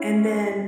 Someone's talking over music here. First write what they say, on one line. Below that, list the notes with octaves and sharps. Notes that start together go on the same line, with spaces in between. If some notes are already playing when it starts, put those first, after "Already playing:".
and then
Already playing: C#4 E4